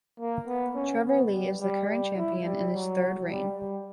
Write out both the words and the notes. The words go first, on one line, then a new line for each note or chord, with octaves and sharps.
Trevor Lee is the current champion in his third reign.
A#3
B3
C#4
B3
G3
G3
G3
E4
G3
F#3
G3
G3